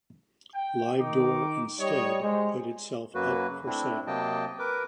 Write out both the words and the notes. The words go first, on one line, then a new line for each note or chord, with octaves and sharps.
Livedoor instead put itself up for sale.
G5
D#3 D#4 D6
G3 C#5 D#5
G#3 C5
F#2 F#3 A#3 F#4 B4
C#3
A3 C4 D4 E4
C3 F#3 A#3 D#5 G5 A5
A#4 B4 D6